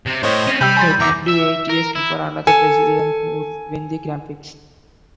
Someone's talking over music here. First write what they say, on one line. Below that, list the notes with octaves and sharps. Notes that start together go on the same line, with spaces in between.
It would be eight years before another Brazilian would win the Grand Prix.
C3
A2 C5 C#5 D#5
C4 C#4 D#7
C3 G3 G5 B5 E6 G6
G#5 C6 A6
E2 E5 A#5 D6 A#6
E5
A#4
E4
A4 G#5